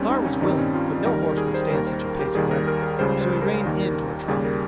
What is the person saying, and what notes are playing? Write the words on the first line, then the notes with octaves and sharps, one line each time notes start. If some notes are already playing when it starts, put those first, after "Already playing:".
Star was willing, but no horse could stand such a pace forever, so he reined in to a trot.
Already playing: D#2 D#3 G3 C4 C#4
D#4
C#4
G2 D#3 G3 D#4
C4
C#4
F4
D#2 D#3 G3 A#4
A#4
G#4
C5
D#2 D#3 G3 A#4
C5
G4
D#2 D#3 G3 G#4
A#4
A#4
A#4
C#2 C#3 G3 C5
C5
A#4
D#2 D#3 G3
D#2 C#3 G3 G#4
A#4